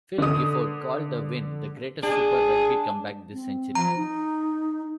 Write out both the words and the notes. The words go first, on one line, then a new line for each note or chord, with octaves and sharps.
Phil Gifford called the win the "greatest Super Rugby comeback this century".
D3 D#6
D4 G#4
C4
F3 A#5
D#4